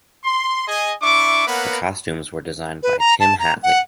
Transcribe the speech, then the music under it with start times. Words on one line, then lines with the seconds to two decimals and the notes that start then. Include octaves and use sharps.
The Costumes were designed by Tim Hatley.
0.25 C6
0.68 G#4 D#5 G#5
1.02 D4 E4 E5 C#6 D6
1.47 A#3 B3 A#4 B4 C#5 F#5
2.83 B4
2.99 A#5
3.20 A5
3.39 A#5
3.63 F#5